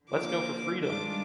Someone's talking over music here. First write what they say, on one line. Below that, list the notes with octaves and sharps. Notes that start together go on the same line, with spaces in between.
Let’s go for Freedom!
D3 F3 A#3 D6
G2 D#3 G#3 D4 F4 D6